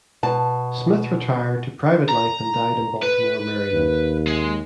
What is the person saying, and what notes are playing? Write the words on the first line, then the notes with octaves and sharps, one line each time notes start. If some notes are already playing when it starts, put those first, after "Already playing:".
Smith retired to private life and died in Baltimore, Maryland.
B2 A5
A#5
B4
D#2
G#3